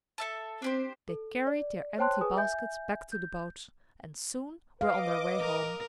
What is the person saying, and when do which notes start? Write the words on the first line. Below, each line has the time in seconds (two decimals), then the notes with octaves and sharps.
They carried their empty baskets back to the boat, and soon were on their way home.
0.18 A4 E5 A5
0.62 C4 D4 G4 C5
1.09 A4
1.47 D5
1.98 C5 C#5 G5 A5 C6 F#6
2.21 G#4 B4 G#5 D#6
2.37 E5 G#5 G6
3.12 G6
4.81 B4 D#5 F5 D6
5.41 A#4